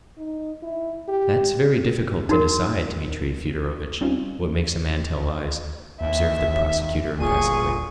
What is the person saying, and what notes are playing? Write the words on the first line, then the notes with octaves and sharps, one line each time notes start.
"That's very difficult to decide, Dmitri Fyodorovitch, what makes a man tell lies," observed the prosecutor impressively.
D#4
E4
G4
D#4 F#4 A#4
G3 C4 C#4 D#4 F4
D#2 E5
G1 A#2 G#4 C#6 D#7